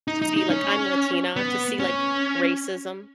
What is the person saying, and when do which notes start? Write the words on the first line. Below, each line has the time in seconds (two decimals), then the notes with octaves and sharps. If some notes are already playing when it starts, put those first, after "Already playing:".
To see like- I'm Latina- to see, like, racism.
0.08 D#4
0.22 D#4
0.36 D#4
0.50 C#4
1.36 B3
1.79 C#4